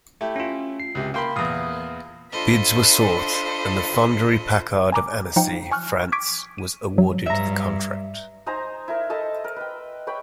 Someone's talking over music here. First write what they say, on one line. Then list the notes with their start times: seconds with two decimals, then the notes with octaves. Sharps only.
Bids were sought, and the Fonderie Paccard of Annecy, France, was awarded the contract.
0.21 A3 E4 G4
0.36 C#4 F4
0.80 C7
0.95 C#2 C3
1.14 A#3 F5 G5 B5 C6
1.36 E2 A#2 F5 D#6
2.30 D4 F4 A4 C5 D#5 B5
4.92 G#5 A#5 D6
5.36 F3 D#4 C5 F5 G5 C#7
5.71 G#5 C#6 F6 F#6
6.12 C#6 D6 G#6 B6 D7
6.58 D#7
6.98 F#3
7.26 G2 E5 A#5
8.46 D#4 C5 G#5 A#5
8.88 E4 A#4
9.10 A4 D#5 E5 A5
9.44 A#4
9.56 B4 G5
10.07 B4 C#5 G5 B5